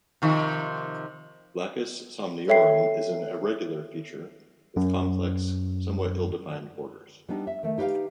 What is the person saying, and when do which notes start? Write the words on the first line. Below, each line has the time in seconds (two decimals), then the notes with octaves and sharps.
Lacus Somniorum is an irregular feature with complex, somewhat ill-defined borders.
0.22 C3 D#3 F3
2.48 A4 C#5 E5 G5 C7
4.76 F#2
7.29 G3 B3 D4 D#4
7.47 E5
7.63 D#3 A3
7.78 D#4 G4 B4 E5 F5